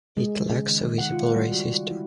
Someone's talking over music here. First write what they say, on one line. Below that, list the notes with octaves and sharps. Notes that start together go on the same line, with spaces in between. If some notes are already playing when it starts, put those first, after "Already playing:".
It lacks a visible ray system.
G#3
G#3
C#3
D#3
D#3
F#5
F4
G3
F#4
E4